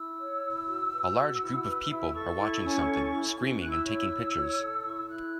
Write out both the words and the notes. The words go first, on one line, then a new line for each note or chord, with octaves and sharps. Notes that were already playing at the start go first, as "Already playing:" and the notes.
A large group of people are watching something, screaming, and taking pictures.
Already playing: E4 E6
C#5
E4
F#4
B4
F#4
E4
B4
E4
A4 C#6
E4
C#4
A4
E4
C#4
E4 F#6
E6
C#5 C#6
E6
E4
C#5
A4
E4 C#6
E6
E4 F#6